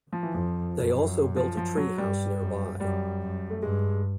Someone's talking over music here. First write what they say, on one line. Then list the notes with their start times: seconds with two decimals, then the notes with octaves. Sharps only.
They also built a treehouse nearby.
0.12 F3
0.23 E3
0.34 F2 F3
0.75 F#2
1.36 F3
1.57 F3
1.77 F#3
1.98 G2 G3
2.40 F#2
2.80 F#2 G3
3.22 F#2
3.50 A3
3.62 G2 G#3